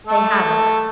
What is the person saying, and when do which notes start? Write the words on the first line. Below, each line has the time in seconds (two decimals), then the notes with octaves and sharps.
They have it.
0.07 A3 A4